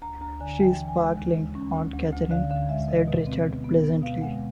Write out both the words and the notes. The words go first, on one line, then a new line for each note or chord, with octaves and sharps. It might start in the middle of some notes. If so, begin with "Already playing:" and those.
"She's sparkling, Aunt Catherine," said Richard pleasantly.
D2 A#5
D2 A#5
D3 G#5
G#5
E3 G5
E3
G#5
G#3
D#2
G#3
C#4
D2
D2
D2
D3 F5
D3 F5
G#3 E5
B2 D#5
B2
C4
B3
B3
B3
B2 F5
G#3 F#5